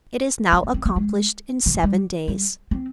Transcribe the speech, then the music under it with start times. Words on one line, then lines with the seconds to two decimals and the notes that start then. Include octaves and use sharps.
It is now accomplished in seven days.
0.53 C4
0.64 C4
0.74 C4
0.86 A#3
0.96 G#3
1.66 D#3
1.75 F3
1.83 G3
2.28 G3
2.71 C4